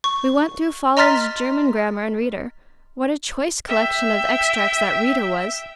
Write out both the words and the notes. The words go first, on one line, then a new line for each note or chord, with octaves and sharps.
We went through Follen's German Grammar and Reader:--what a choice collection of extracts that "Reader" was!
C#6
D#5 A#5 C6 F6 A6 B6
E5 G5